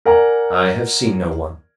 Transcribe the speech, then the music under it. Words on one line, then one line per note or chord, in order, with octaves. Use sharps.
"I have seen no one."
A#4 D5 F#5 G#5 A#5